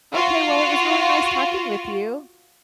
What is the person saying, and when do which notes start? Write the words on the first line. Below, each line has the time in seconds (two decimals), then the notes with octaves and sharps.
Okay, well, it was really nice talking with you.
0.12 F4 F#4